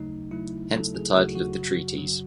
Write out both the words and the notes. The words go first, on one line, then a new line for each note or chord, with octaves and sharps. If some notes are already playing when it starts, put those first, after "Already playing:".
Hence the title of the treatise.
Already playing: D#2 C#3 F#3 A3 D#4
D#2 C#3 F#3 A3 E4
D#2 C#3 F#3 A3 A4
G#4
D#2 C#3 F#3 A3 F#4
F#4
F#2 C#3 F#3
F#2 C#3 F#3